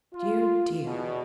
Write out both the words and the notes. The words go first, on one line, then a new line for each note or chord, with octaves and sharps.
Dear! dear!
F4
E2 B2